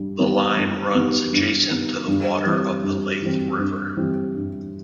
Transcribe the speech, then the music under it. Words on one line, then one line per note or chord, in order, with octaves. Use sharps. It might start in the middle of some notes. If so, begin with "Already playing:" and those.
The line runs adjacent to the Water of Leith river.
Already playing: G2 G3
D#3 G3 B3
G2
D#3 G3 B3
G2
D#3 G3 B3
G2
E3 G3 C4
G2
E3 G3 C4
G2
E3 G3 C4
G2